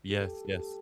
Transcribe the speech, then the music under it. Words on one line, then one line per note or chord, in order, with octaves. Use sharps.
Yes, yes.
G4
A4
G4
A4
G4